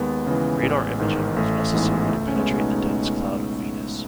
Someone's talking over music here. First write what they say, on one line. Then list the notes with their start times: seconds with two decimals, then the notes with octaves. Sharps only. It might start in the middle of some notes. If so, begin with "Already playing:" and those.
Radar imaging was necessary to penetrate the dense cloud of Venus.
Already playing: D#2 G#3 B3
0.27 C#3 E3
0.63 A1
0.99 G#2 D#3
1.36 A1 A3
1.73 G#2 E3 G#3 B3
2.10 C#2 A3
2.28 C#4
2.35 G#3 B3
2.47 B2
2.59 B3 D#4